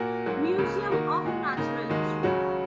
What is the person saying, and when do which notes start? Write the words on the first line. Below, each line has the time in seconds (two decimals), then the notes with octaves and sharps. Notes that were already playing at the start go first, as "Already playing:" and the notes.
Museum of Natural History.
Already playing: A#2 A#3 F#4 A#4
0.26 G#2 F#3 A#3 F#4
0.58 C#2 C#3 A#3
0.91 D#3 A#3 F#4 A#4
1.25 A#2 G#3 F#4
1.57 C#3 A#3 D#4
1.89 D#2 D#3 G#3 F#4 A#4
2.23 C#2 C#3 F#3 C#4 F#4